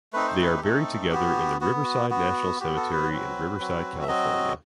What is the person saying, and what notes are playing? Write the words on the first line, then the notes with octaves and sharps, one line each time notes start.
They are buried together in the Riverside National Cemetery in Riverside, California.
A3 C4 D#4 B4
C5
B4
G4
A3 C4 D#4 A4
B3 F#4 G4
B3 F#4
F#4
B3 F#4
B3 F#4 G4
A4
B4
F#3 C4 F#4
F#3 C4 F#4
E5
F#3 C4 F#4 D#5